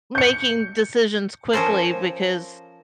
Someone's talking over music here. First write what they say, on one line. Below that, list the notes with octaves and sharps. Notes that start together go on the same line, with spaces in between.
making decisions quickly because,
G6 C#7
F3 C#4 A4 A#4 C5